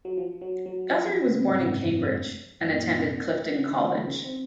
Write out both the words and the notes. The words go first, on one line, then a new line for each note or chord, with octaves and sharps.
Guthrie was born in Cambridge and attended Clifton College.
F#3
F3
F#3
F#3
F3
C#3
C3
G#2
F#2
F2
F#2
A#2
A#2
C3
C#3
D#3
F3
D#3
C#3
C4